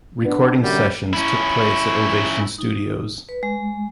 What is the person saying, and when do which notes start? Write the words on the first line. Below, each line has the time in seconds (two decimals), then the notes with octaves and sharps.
Recording sessions took place at Ovation Studios.
0.25 B3 D4 B4
0.61 F#2 D3 G3
1.13 C#4 E4
2.58 D#4
3.29 B4
3.43 G#3